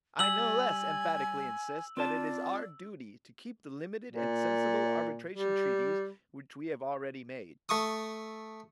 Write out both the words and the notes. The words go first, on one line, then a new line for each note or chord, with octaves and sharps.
I no less emphatically insist that it is our duty to keep the limited and sensible arbitration treaties which we have already made.
G3 G#5 E6 F#7
C4 F4 D5 A5
A#2
G3
A3 C#6 D#6